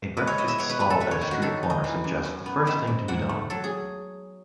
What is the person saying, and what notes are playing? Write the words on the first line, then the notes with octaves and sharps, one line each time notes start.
A breakfast-stall at a street-corner suggests the first thing to be done.
G#3 B4
C#5
E4 D#5
E5
B2 C#5
B4
B3 B4
A4
A3 B4
C#5
D#3
F#4
D#3 A4
D#4
D#5
E3
F#2
F#2
B3
D#3 E5
G#2
G#2 F#5
A3
F#3 A4
G#4